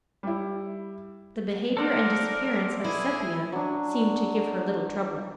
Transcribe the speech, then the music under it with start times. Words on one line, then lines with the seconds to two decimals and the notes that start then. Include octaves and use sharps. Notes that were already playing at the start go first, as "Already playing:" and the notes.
The behavior and disappearance of Sepia seemed to give her little trouble.
0.23 G3 E4
1.77 A4 A#4 C5 D5 F#5
2.84 E4 G#4
3.52 F#3 D4